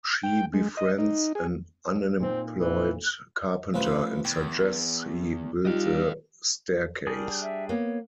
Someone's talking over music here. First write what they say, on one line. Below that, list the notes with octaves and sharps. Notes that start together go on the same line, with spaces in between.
She befriends an unemployed carpenter and suggests he build the staircase.
G5
G#3
D#5
D#4
G#4
A#2 C4 D#4
E3
A1 F3 B4
E2 G5
G3 D#4 F4 D#5 F5
G3 D4 G#4 A#4
E5
A#3 B3 C#5